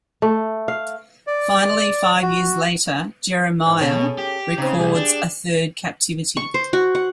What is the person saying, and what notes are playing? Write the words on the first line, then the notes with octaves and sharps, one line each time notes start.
Finally, five years later, Jeremiah records a third captivity.
A3
F5
D5
F#4
G#2
B2 C#4 G#4 A4
G4
C#3 C4 D#4
C2 G4 G#4
D4
C#6
C5
F#4
F#5